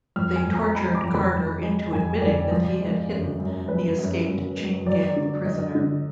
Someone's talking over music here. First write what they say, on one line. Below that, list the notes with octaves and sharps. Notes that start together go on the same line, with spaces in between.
They tortured Carter into admitting that he had hidden the escaped chain gang prisoner.
F2 F6
G#5
F2
A#5
G#3 B5
D6
F2
B5
F2
G#3
F2 G#5
F2 D5
F3
G#3
F#2
F#2
F3 B4
F#2
F#2
G#3
F#3 D5
D3
F#3 D#5
D3